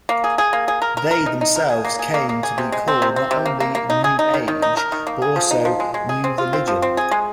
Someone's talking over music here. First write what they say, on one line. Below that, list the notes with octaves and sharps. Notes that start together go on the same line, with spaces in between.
They themselves came to be called not only "New Age" but also "new religion".
A#3
G#4
G#4
A#3
G#4
A#4
A#4
A#4
D#4
D#4
A#4
G#4
A#3
G#4
A#3
A#3
G#4
C3
G#3
C4
C3
C4
C3
A#3
A#3
A#3
D#4
G#4
D#4
D#3
D#3
D#4
A#4
D#3
A#3
G#4
F3
D#4
F3
G#3
G#3
G#4
C4
F4
C4
F3
C4
G#4
G#3